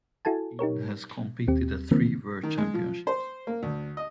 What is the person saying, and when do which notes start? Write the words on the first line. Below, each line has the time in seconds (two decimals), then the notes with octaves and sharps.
Keane has competed at three World Championships.
0.25 E4 F#4 A4 G#5 A5
0.59 D#4 G4 A#4 C#5
1.47 D#2 C4 G4
1.91 D3 E3 F3 A#3 C4
2.43 D#3
2.58 G#3
2.74 F3
3.07 C5
3.47 A#3
3.63 D2
3.97 D#5